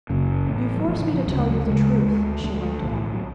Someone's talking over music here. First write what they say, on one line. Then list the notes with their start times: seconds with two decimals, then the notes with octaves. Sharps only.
"You force me to tell you the truth," she went on.
0.09 F#1 F#2 C#3
0.49 A1 A2
0.77 F#3
0.88 A1 A2 F3
1.01 D3
1.14 F3
1.27 D2 C#3 F#3
1.38 G#3
1.50 F#3
1.61 A3
1.66 D2 C#3 G#3
2.05 D2 D3
2.44 D2 D3 A3
2.53 G#3
2.63 A3
2.83 B1 A2
3.14 F#3